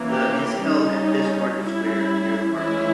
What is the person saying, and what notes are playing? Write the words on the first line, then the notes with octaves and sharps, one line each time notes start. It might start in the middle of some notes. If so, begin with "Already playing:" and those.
The is held at this market square near the harbour.
Already playing: E3 A#3 C#4
G4
G3 C#4 D#4
G3 C#4 E4
E3 G#3 C#4 E4